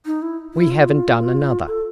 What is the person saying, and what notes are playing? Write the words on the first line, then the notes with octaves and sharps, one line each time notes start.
We haven't done another.
D#4
E4
E4
F4
A4